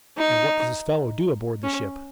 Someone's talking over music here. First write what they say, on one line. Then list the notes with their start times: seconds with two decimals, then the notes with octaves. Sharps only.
"And what does this fellow do aboard the ship?"
0.17 D#4
1.63 C#4